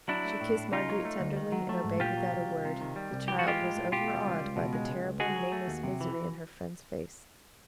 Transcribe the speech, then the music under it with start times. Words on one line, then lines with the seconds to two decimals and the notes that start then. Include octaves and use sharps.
She kissed Marguerite tenderly and obeyed without a word; the child was overawed by the terrible, nameless misery in her friend's face.
0.08 F#3 D4 E4
0.24 A3
0.41 A2
0.57 A2
0.72 C#3 D#4 F4
0.89 F#3
1.05 A3
1.20 D2
1.36 D#3
1.52 F#3
1.69 A3
1.84 G#2
2.00 A#2 F4 G4
2.17 F#3
2.32 C2
2.48 C2
2.65 C3
2.81 D#3
2.96 G3
3.13 C2
3.28 E3 G4
3.39 F#4
3.44 G#3 F4 G4
3.60 A2
3.76 A2
3.92 B2 F4 G4
4.08 G3
4.24 C#2
4.40 C#2
4.56 B2
4.73 G#3
4.88 C#2
5.04 C#2
5.20 D3 F#4 G#4
5.36 F#3
5.52 A3
5.68 D#2
5.83 C3
6.01 E3